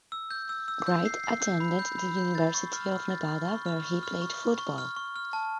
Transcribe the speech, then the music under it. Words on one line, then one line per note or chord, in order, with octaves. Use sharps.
Wright attended the University of Nevada where he played football.
E6
G6
E6
E6
G6
C7
C7
G6
B5
G6
B5
G6
A6
C#6
F6
F6
A6
F6
C#6
F6
C#6
F6
C#6
C#6
C#6
F6
C#6
F6
A5